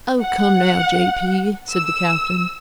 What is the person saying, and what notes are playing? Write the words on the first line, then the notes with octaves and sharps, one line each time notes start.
"Oh, come now, J. P.," said the captain.
F#5
E6